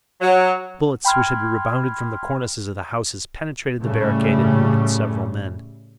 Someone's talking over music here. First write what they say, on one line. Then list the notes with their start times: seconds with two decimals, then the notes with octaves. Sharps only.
Bullets which had rebounded from the cornices of the houses penetrated the barricade and wounded several men.
0.21 F#3
1.05 G5 B5 C6 F6 G#6
3.81 A2 C#3 G3 A3